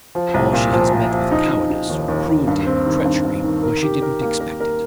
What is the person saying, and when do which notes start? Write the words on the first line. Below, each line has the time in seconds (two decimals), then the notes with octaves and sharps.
Or she has met with cowardice or cruelty or treachery where she didn't expect it.
0.15 F3
0.34 C2
0.53 A#2
0.73 F3
0.92 F3
1.12 F3
1.31 D#4
1.50 D#4
1.70 D#4
1.89 D#2
2.08 D#2
2.28 D#2
2.47 G2
2.66 C4
2.86 D#3
3.05 G2
3.25 G2
3.44 D#3
3.63 A#4
3.83 G4
4.02 A#4
4.21 A#3
4.40 A#4
4.60 A#4